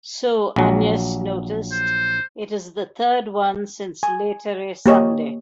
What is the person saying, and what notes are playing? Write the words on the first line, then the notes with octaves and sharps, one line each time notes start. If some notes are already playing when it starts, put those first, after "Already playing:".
So, Agnès noticed, it is the third one since Lætare Sunday.
A#1 F#3
C5
G#5
A#3 G4 C#5 D#5